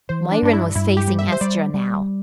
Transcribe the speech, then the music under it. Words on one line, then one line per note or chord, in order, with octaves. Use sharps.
Myrin was facing Estra now.
E3 C5
D4
G2 D4
E4
G2 E4
G4
G3
E5
C5
G3 D5
G3